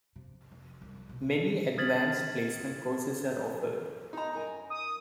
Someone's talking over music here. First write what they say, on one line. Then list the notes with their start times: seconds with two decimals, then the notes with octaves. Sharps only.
Many Advanced Placement courses are offered.
0.16 C3
0.52 F1
0.82 C2
1.09 B2
1.78 D#6 F6 G#6 A6 B6 F#7
4.13 D#4 A#5
4.33 F#2 A#4 G#5
4.70 D#6